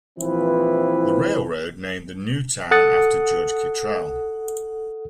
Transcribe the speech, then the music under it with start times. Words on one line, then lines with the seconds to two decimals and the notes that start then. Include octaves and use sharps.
The railroad named the new town after Judge Kittrell.
0.19 A#1 E3 F3 C4 E4 B4
2.71 A4 F#5 D#6 F#6 A6 C#7